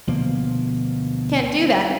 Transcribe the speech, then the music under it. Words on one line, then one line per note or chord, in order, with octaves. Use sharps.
Can't do that.
D2 B2 F3 A#3